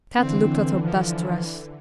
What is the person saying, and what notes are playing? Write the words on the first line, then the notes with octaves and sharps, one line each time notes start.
Kat looked at her best dress.
D3 E3 C4
F3